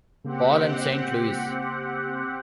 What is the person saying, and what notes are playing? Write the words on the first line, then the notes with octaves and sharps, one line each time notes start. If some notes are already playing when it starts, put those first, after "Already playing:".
Paul and Saint Louis.
C#3 A#3 C4 G4 F#5